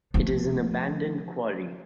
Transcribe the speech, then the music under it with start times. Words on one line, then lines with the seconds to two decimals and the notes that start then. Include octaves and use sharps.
It is an abandoned Quarry.
0.14 F3 A3